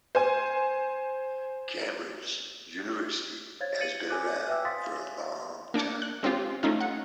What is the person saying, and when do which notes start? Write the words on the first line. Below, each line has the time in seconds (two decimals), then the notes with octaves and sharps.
Cambridge university has been around for a long time.
0.15 C5 G#5
3.60 C5 C#5 F5 G#6 A6
3.80 A6 C#7 D#7 F#7
4.09 G#5 D6 F#6
4.48 B4 E5 G5 D6 E6
4.65 F5 G#5 C6 D#6 A6 B6
5.74 A#3 D4 D6 C#7
6.02 F#6
6.23 G#3 C4 C#4 F4 G4
6.63 A3 C#4 D#4 F4
6.80 F#5